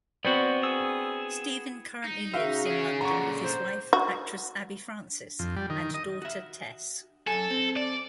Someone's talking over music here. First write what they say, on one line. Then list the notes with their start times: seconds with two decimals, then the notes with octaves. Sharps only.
Steven currently lives in London with his wife actress Abby Francis and daughter Tess.
0.25 B3 C4 F#4 D5
0.63 G#4 E6
2.04 D#4
2.34 C#3 F#4 E5 F5
2.67 C#4 G#4
3.01 A#2 D3 F#5 A#5 C#6
3.43 C5
3.93 F#4
5.39 F2
5.56 G3
5.70 D#3
5.94 D#5
6.22 F#4 E5
7.27 F#2 A4 G#5
7.50 C4
7.76 D5